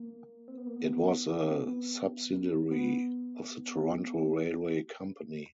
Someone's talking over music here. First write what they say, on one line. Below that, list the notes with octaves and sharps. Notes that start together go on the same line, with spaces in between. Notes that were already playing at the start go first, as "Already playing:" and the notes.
It was a subsidiary of the Toronto Railway Company.
Already playing: A#3
C4
B3
A#3
B3
C4
B3
B3